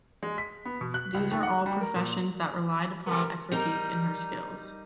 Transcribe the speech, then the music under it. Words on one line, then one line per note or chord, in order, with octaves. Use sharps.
These are all professions that relied upon expertise in her skills.
G#3
B6
B3
B2
F#6
C#2
D#2
F#5
G3
A#4
A#2
C3 A3 B3 A#4
G3 D#4 A#4